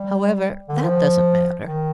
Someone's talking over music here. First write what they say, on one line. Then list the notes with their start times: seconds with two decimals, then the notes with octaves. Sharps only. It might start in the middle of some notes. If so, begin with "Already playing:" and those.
However, that doesn't matter.
Already playing: G3
0.69 D3
0.76 D#3
0.83 F3
1.67 D#3